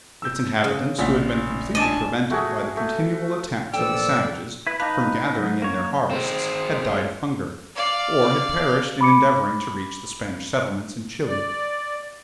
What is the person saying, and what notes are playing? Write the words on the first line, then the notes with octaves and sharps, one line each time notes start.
Its inhabitants, who had been completely prevented by the continual attacks of the savages from gathering in their harvests, had died of hunger, or had perished in endeavouring to reach the Spanish settlements in Chili.
E6 G6
C#3
A#1 F#5 B6
D4 D5 D#5 G#5 A5
A3 F#4 G#4
A3
A#1 A#2 E3 F3 A4 D5 G5 E6
E4 B4
D#4 B4 F5 A5 D6
F#3
A#3 C#5
G#3 C4
D5 F5
B5 D6 C#7
D5